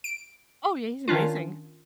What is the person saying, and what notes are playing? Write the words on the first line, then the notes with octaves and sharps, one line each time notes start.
Oh yeah, he's amazing.
D7
D#3 C#4 D4 F4